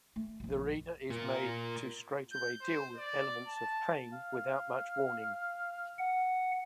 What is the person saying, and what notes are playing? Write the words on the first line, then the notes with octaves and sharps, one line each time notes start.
The reader is made to straightaway deal with elements of pain without much warning.
A3
A#1 F2
A#3 F4
G6
C5
D5
A5
F5
F#5